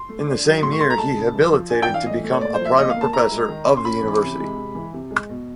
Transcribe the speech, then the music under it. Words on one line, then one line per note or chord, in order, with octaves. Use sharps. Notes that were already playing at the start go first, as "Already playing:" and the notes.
In the same year he habilitated to become a private professor of the university.
Already playing: C6
A3
D4
F#3
A2 C6
C#6
A3 C6
A#5
G#3 A5
C#3
F#2
F3
D4 G#5
G5
E3
F5
A2 D#5
A3
C#5
A#2 D5
C5
F3 E5
A#2 D#5
F5
A#3
A5
E4 A#5
G#3
D#3
C#4
C6
C#4 B5
E3
C3
G#3
C3
E3
C3
G#3
B2